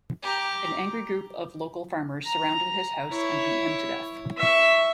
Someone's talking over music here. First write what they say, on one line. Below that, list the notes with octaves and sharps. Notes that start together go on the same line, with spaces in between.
An angry group of local farmers surrounded his house and beat him to death.
G4 A#5
A#5
E4 C#5
E5 C#6